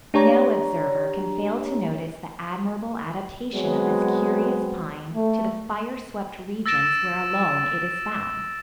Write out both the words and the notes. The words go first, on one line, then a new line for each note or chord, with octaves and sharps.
No observer can fail to notice the admirable adaptation of this curious pine to the fire-swept regions where alone it is found.
D4 G4 C#5 A#5
F#3 G#3 B3 C4
A3
E6 A6 A#6 D7 E7